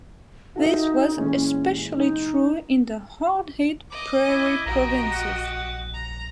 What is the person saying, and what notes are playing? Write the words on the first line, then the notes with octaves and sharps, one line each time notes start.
This was especially true in the hard-hit Prairie Provinces.
D#4 F#4 A4 E5
A#2 E3 G#3 C#4
D#4
D#5 D6
E4
A#1 F#4 G4 D#5 A#5
F#5
A#5